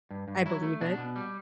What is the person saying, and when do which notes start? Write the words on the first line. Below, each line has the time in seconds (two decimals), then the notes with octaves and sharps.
I believe it.
0.11 G2
0.28 G2
0.46 F#3 E4
0.63 A3
0.81 B2 D4
0.98 B2
1.16 G3